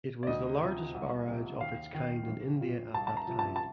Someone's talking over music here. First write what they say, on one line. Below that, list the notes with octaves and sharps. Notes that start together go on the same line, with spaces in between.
It was the largest barrage of its kind in India at that time.
D5
D2 D#5
C3 F3
C2
C3 F3
D#2 F5
D#3
A#1
A#2 F3
C2 A5
A5
A#5
C3 F3
A5
A5